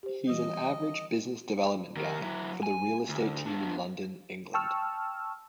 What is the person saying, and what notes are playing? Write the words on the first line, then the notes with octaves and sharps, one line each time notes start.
He's an average business development guy for the Real Estate Team in London, England.
G4 C5
E3 G3 D#5
D#3 A#3
F#3 E4
G#5
D2
B3 D4
G5 A5 C#6 E6 F6